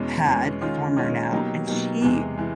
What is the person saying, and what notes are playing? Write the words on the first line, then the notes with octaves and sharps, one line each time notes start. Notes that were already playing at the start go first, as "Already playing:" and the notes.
had, former now- and she,
Already playing: E2 B2 G#3 C#4
E2 B2 G#3 C#4
D#3 G#3 C#4 F4
D#3 G#3 C#4 F4
B2 F#3 A#3 D#4 G4
B2 F#3 A#3 D#4 G4
E2 C3 E3 G#3
E3 G#3